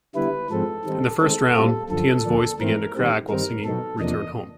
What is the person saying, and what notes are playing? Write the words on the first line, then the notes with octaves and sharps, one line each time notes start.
In the first round, Tien's voice began to crack while singing "Return Home".
D3 G3 B3 E4 B4
G#2 F3 G#3 C4 A4
D#3 G3 C4 D#4
D#3 G#3 C4 D#4 A4
A#2 G3 C4 F4
F#2 D3 F3 A4
D2 D3 F3 A#3 D4
G#2 E3 A3 C4 A#4
D#3 G3 C4
G2 D#3 G3 C4 D#4 A#4
B2 F#3 B3 D#4 A4
E2 C3 F3 A#3 D4 D#5